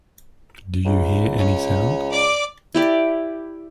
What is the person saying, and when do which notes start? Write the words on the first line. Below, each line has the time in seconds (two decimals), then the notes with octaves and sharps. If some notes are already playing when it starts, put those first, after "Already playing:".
Do you hear any sound?
0.86 C#2
1.37 C#4
2.11 D5 D6
2.74 E4 G4 D5